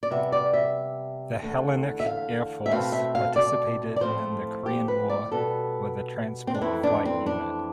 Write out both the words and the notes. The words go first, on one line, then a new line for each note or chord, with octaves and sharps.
The Hellenic Air Force participated in the Korean War with a transport flight unit.
D5
C3 G3 B3 E5
D5
E5
E2 D3 A3
E5
F5
E5
B2 A3 C4 F5
E5
F5
D5
D5
A2 F3 A3 C4 C5
G4
B4
D5
B2 G3 B3 A4
C4
D4
F2 E3 A3 C4 E4
D4
C4
D4